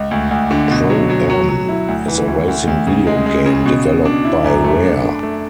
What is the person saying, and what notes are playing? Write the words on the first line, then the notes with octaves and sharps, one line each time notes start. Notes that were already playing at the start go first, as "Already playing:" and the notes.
Pro-Am is a racing video game developed by Rare.
Already playing: C#2
D2
D2
D3
B2
F#3
F#3
F#3
F#3
E4
D2
E3
D2
D2
D2
C#3
G#3
G#3
C#3
B2
B2
D4
E4
F#2
A3
D4
D4
A3